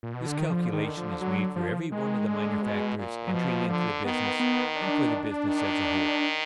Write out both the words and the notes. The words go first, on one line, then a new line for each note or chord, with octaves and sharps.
This calculation is made for every one of the minor factors entering into the business, and for the business as a whole.
A#2
B2
D3
D#3
D3 F3
D#3
F3
F#3
F3
D#3 G#3
D3
B2
A#2
F#3
B2 F3
D3
D#3 B3
B3
D4
D#3